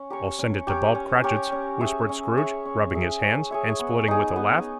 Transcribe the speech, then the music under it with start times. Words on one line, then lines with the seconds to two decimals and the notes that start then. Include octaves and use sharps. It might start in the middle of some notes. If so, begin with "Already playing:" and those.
'I'll send it to Bob Cratchit's,' whispered Scrooge, rubbing his hands, and splitting with a laugh.
Already playing: C#4
0.10 G4 A#4 C#5
0.39 C#4
0.67 G4 A#4 C#5
0.95 C#4
1.24 G4 A#4 C#5
1.52 C#4
1.80 G#4 C#5 E5
2.09 C#4
2.37 G#4 C#5 E5
2.65 C#4
2.94 G#4 C#5 E5
3.22 C#4
3.51 G#4 C#5 E5
3.79 B3
4.08 D#4 G#4
4.36 B3